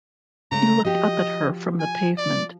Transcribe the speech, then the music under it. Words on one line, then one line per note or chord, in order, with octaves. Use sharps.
He looked up at her from the pavement.
C#3 G#3 A3 A#5
F3 F#4 G4 D#5
G#5
D5